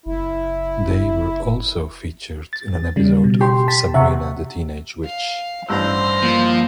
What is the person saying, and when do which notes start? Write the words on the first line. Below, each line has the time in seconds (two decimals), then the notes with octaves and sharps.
They were also featured in an episode of "Sabrina, the Teenage Witch".
0.06 F#1 E4
2.53 A6
2.96 C#3 G3
3.24 B2
3.41 G4 C6
3.68 A5 B6
3.94 C3 E5 F#5 C#6
5.05 F5
5.69 A1 G2 C5 A#5 E6
6.23 F3 A#3